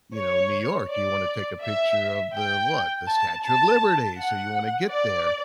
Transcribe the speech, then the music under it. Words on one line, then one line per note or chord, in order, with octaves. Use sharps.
you know, New York, you wanna take a picture of the, what, the Statue Of Liberty, so you wanna get there.
C#5
D5
E5
G5
A5
A5
F#5
D5